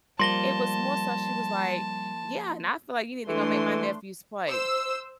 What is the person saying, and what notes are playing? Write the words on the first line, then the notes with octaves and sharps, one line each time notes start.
it was more so she was, like, "Yeah, and I feel like you need to go make my nephew's plate."
F3 G3 A#3 A5 C6 A#6 G7
E3 A3 D4 C6
C5 E6